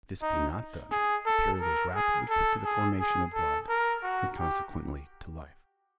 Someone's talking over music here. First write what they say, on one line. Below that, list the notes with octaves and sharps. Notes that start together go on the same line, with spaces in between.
If this be not done, a period is rapidly put to the formation of blood, and consequently to life.
D#4
G#4
A4
A#4
G#4
A4
G#4
G#4
A4
A#4
F#4
G4